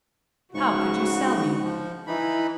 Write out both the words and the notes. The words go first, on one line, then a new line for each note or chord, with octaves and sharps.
How could you sell me?
G#2 C#3 F#4 C#6
F3
E3 D#4 E4 B5